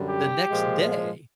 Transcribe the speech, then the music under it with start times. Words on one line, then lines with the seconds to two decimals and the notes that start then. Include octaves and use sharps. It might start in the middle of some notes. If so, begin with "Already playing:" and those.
the next day,
Already playing: F#2 D3 G3
0.09 G4
0.48 A#2 F3 G#3